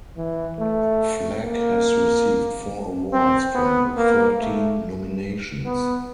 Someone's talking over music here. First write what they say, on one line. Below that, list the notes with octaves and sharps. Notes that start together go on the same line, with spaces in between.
Flack has received four awards from thirteen nominations.
E3
A3
A#3
C4
B3
A#3
A3
B3